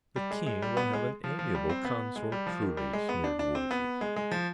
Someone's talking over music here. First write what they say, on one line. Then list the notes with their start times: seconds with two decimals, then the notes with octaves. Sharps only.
"The king will have an amiable consort, truly," sneered Wolsey.
0.16 G3
0.31 G#3
0.46 G#3
0.62 G3
0.77 B3
0.93 G#3
1.24 F3
1.39 F3
1.55 G3
1.69 C4
1.85 B3
2.16 G#3
2.32 G3
2.47 F3
2.62 D#3
2.77 G3
2.93 G#3
3.09 B3
3.24 D4
3.39 D4
3.55 C4
3.71 B3
4.01 G#3
4.16 G#3
4.31 F3